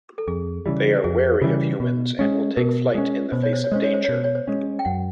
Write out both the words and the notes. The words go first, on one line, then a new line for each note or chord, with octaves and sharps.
They are wary of humans and will take flight in the face of danger.
A4
F2 G#4
C#3 E3 G3
F2 G#4
C#3 E3 G3
B2
G#3 C#4
B2 A#4
G#3 C#4
B2 C5
C#5
C5
C#5
G#3 C#4 C5
C#5
C5
B2 C#5
C5
C#5
C5
G#3 C#4
G5
F#2 F#5